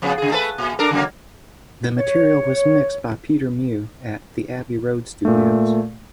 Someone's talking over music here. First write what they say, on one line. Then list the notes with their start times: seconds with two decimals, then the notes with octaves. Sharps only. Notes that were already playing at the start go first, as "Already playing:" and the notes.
The material was mixed by Peter Mew at the Abbey Road studios.
0.02 F2 C#3 B3
0.18 C#3 G#4
0.30 A3 A4 B4
0.58 A#2
0.79 D4 A4 A#4
0.91 C#3 F#3 A#3
1.98 C#5
5.25 A#2 A3